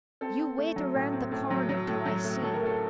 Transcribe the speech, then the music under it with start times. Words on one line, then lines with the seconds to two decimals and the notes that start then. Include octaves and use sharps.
"You wait around the corner till I see."
0.21 C4 A4
0.39 C4
0.58 A3
0.76 F#3
0.95 A2
1.13 C4
1.31 A2
1.50 F#3
1.69 F#3
1.87 A2
2.05 F#3
2.24 A3
2.43 F#3 A4
2.54 A#4
2.61 A3 A4